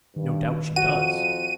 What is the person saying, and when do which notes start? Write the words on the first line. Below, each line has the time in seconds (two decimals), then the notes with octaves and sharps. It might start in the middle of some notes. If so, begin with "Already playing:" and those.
No doubt she does.
0.16 G2 D#3
0.76 F2 F#4 D#7